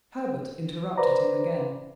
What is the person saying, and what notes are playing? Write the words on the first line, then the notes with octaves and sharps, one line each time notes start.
Herbert interrupted him again.
B4 C5 D5 A#5